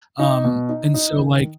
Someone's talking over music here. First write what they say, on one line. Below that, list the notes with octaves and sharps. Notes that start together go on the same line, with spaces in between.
Um, and so, like
D#4
B2
D#4
D#4
D#3